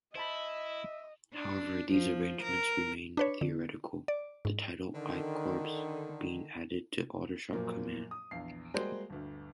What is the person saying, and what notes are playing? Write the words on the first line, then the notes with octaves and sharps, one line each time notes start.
However, these arrangements remained theoretical, the title 'I Corps' being added to Aldershot Command.
E4 C5 D#5 E5 A5 B5
D4
F3
A#4
D4 B4 C#5
D3
D5
G#2
D3 D#3
F#2 A#2 F3 A#3
D#6
A#1 E2 F5 C7
G3 G#3 A#3 F#4 C5
G1 D2